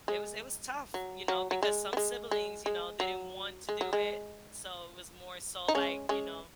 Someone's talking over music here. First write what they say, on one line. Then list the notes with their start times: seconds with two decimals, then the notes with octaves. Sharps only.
it was it was tough, you know, because some siblings, you know, they didn't want to do it, so it was more so, like, you know
0.08 G#3
0.94 F#3
1.28 F#3
1.51 F#3
1.63 G#3
1.93 B3
1.97 G#3
2.31 G#3
2.66 G#3
3.00 F#3
3.69 G#3
3.81 F#3
3.93 G#3
5.68 D#4
5.75 G#3 C#4
6.09 G#3 C#4